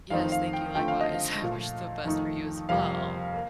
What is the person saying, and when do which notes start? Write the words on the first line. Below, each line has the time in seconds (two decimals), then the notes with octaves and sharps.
Yes, thank you, likewise. I wish the best for you as well.
0.10 F2 D#3 A3 C4 D#4 F5
0.32 F5
0.53 G5
0.75 D3 F3 A3 C4 G5
0.88 F5
1.01 D#5
1.14 F5
1.40 A#2 F3 A3
2.05 F2 D#3 A3 D#4
2.69 F2 C3 G3 A#3 F5
3.34 A#3